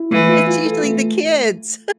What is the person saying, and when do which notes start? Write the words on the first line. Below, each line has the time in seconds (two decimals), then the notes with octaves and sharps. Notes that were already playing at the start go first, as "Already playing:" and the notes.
It's usually the kids.
Already playing: E4
0.11 E3 A3
0.29 F4
0.47 F4
0.65 A4
0.84 A3